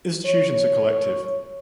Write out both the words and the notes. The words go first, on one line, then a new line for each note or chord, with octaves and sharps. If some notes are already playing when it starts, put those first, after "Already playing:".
Institutions are collective.
C#5